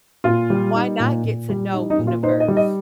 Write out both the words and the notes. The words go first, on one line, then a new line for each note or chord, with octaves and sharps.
why not get to know universe?
A#2 F4
G3
D#4
A#2
A#2
G3
D#4
D#4
A#2
F4
D#4 C5
D#5
G3
D#5